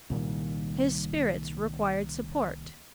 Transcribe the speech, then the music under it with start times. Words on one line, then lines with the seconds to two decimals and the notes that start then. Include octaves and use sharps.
His spirits required support.
0.10 C2 A#2 D#3 G3